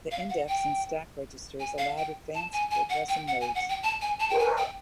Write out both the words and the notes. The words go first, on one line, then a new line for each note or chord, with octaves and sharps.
The index and stack registers allowed advanced addressing modes.
F5
F#5
G5
G#5
F5
G5
A5
G#5
G#5
F#5
G5
F#5
G#5
F#5
G5
A5
G#5
A5
G5
G#5
G5